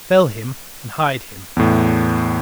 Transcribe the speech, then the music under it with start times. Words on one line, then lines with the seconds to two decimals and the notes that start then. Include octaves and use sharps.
Fell him and hide him.
1.57 E2 A2